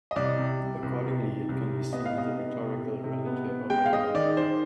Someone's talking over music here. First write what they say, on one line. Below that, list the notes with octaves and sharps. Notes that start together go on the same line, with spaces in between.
Accordingly, it can be seen as a rhetorical relative of irony.
D#5
C2 D5
C3
G3
C2
C3
C3
C2
C3
B3 D#5
F5
C3 D#5
B3
C3
C3
C3
B3
B3
G#3 G5
F5
G#3 D#5
D#3 D5
D#3 C5